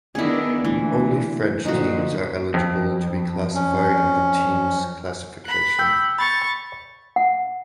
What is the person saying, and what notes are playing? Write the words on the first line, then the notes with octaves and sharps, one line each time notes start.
Only French teams are eligible to be classified in the teams classification.
D#3 B3 D4 E4 G#4
D2 A#2 E3
A#2 D3 F3 D#4 F#4
F2
C#4
B5 F#6
G5 E6 G6
B5 C#6 A6
F#5